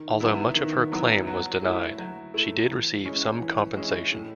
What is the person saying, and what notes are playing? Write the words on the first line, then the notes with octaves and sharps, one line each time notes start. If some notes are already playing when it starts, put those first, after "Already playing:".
Although much of her claim was denied, she did receive some compensation.
Already playing: D#3
F#3 B3 E4
D#3
F#3 B3 E4
F#3
A3 E4
F#3
A3 E4
E3
G#3 C#4 E4
E3
G#3 C#4 E4
A2